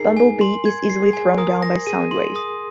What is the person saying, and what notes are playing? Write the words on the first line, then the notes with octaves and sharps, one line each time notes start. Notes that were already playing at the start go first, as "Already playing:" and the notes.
Bumblebee is easily thrown down by Soundwave.
Already playing: D#4 G#4 A#4 C7
G#5
C6
G#6
C7
G#4
G#5
A#4 D#6
A#6
G#4 D#7
C6
D#6